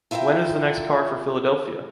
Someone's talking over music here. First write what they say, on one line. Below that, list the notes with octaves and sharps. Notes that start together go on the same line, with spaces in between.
When is the next car for Philadelphia?
E4 F4 A#4 E5 G5